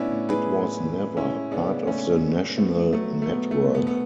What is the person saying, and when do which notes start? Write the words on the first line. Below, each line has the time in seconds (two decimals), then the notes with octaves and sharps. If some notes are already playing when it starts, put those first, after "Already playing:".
It was never part of the national network.
Already playing: A2 B3 C#4 D4 E4
0.11 A2
0.29 G#4 B4
0.46 G#3
0.82 A2
1.17 G#3 C#4 E4
1.52 C#3 B3 D4
1.87 G#3 A3 C#4
2.22 G#3
2.58 A3 B3
2.93 F#3 A3
3.22 A3
3.28 B2 B3
3.51 A3
3.63 B2
3.75 B3
3.87 B3